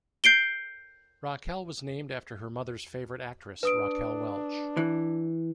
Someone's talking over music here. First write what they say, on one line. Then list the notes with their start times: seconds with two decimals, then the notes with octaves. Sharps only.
Raquel was named after her mother's favorite actress, Raquel Welch.
0.24 G6 C7 D7 G7
3.63 D4 B4 D#6 D7
4.77 E3